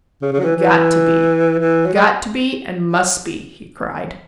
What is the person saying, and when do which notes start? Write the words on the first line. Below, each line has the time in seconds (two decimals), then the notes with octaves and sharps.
"Got to be--got to be, and must be!" he cried.
0.22 C#3
0.33 C#3
0.39 F#3
0.45 E3
0.57 E3
1.59 E3
1.86 F#3
1.94 G#3